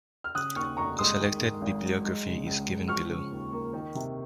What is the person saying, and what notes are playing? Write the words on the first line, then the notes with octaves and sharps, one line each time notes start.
A selected bibliography is given below.
F6
C#3 D#6 F#6
D#2 C#6 F6
F1 A#5 C#6
G#3 C6 D#6
D#3
G#2
G#1
F#3
G#3
C#3
C#2
C#2
F3 C#6 F6
C#3
D#2
A#3
D#3
C3